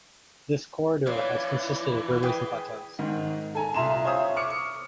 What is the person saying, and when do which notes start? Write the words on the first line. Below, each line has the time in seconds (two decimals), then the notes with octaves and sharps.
This corridor has consisted of rivers and plateaus.
1.07 E3 C#4 D4 F4
2.23 G#4 B4 G5
2.99 G#2 D#3
3.55 A4 G#5 A#5
3.74 C2 F4 E5 A#5 C6 E7
4.05 C5 C#5 E5 F5 D#6
4.36 C#6 D6 F6 C#7